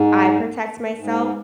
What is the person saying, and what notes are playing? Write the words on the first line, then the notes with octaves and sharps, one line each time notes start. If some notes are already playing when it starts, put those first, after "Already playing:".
I protect myself.
Already playing: G#2
G#2